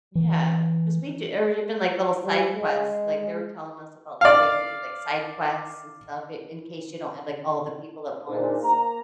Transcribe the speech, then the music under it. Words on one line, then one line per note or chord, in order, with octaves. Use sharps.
Yeah, 'cause we do or even, like, little side quests, like, they were telling us about, like, there could be, like, side quests and stuff in in case you don't have, like, all the people at once.
E3
G3
G#3
D5 F5
A#2 D4 D#4 G#4 A#4 C5
A#3 A#5